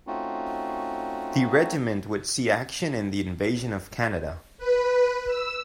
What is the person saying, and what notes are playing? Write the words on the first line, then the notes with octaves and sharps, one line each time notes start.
The regiment would see action in the Invasion of Canada.
A3 C4 C#4 D#4 F4 F#4
B4
E6